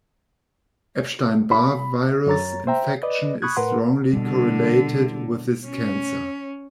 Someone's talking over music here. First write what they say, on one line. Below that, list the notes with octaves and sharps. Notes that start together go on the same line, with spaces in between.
Epstein-Barr virus infection is strongly correlated with this cancer.
B5
F#2 C#5 A#5 A6
C5 E5 G5 A#5
B4 D5 D#5
B5 C#6 D#6 F#6 G#6
A2 A#4 B4 F#5 C6
B2 D3 G3
C#4